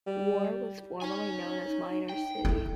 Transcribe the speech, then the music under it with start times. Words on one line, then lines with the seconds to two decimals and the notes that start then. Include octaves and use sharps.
War was formerly known as Miner's City.
0.07 G3
1.02 D#4 C#5 G#5
2.09 G5
2.45 D#4 E4 A4